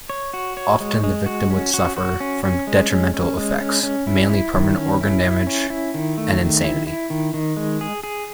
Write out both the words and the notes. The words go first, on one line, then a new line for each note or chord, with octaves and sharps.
Often the victim would suffer from detrimental effects, mainly permanent organ damage and insanity.
C#5
F#4
C#5
G#3
G#3
F#4
C#4
F#4
F#4
C#4
C#4
G#3
C#4
C#4
G#3
C#4
C#4
E4
E4
D#3
C#4
E4
E4
C#4
E4
D#3
A3
D#3
E4
E4
D#3
D#3
G#3
G#4
G#4